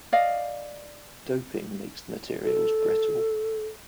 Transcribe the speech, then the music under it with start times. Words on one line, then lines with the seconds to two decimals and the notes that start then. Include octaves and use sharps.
Doping makes the materials brittle.
0.13 D5 D#5 F5
2.44 A4